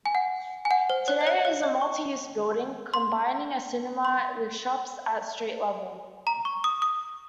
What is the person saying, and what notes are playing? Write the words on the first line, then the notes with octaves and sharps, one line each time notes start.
Today, it is a multi-use building combining a cinema with shops at street level.
G#5
F#5
G#5
F#5
C5
C#5
D#5
C#5
D#5
C#5
D#5
C#6
C6
C6
A#5
C#6
D#6
D#6